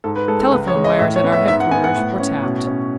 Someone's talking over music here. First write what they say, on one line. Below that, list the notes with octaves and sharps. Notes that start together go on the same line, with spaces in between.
Telephone wires at our headquarters were tapped.
G#2 A4
B4
G#3 A4
A4
C#2 B4
C#5
G#3
D#5
A2 E5
C#5
B3
E5
G#2 E5
F#5
B3 G#5
F#5
A2
C#4
B2
C#4